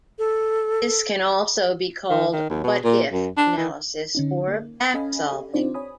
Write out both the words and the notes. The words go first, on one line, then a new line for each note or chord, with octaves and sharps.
This can also be called what-if analysis or back-solving.
A4
D#3
D#3
D#2
B2
A#2
F#2
D4
E3
D3 C#4 D#4
A#3
C#4 A4 D#5 F5 G#5 B5
G4
C4 D4 D#4 F4 C5 D5
C#5 G#5 B5 D#6